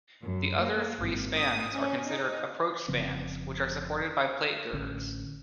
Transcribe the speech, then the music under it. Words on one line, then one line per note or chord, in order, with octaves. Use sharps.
The other three spans are considered approach spans, which are supported by plate girders.
F#2
A#3
G#1
D#6
C#4
D#4
F1 C#3 F3 C4
A1 D3 C#4